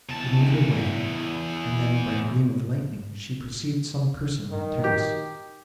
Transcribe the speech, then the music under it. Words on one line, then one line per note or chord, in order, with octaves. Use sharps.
It moved away, and then, by a gleam of lightning, she perceived some person on the terrace.
E2 A5
D#3
G4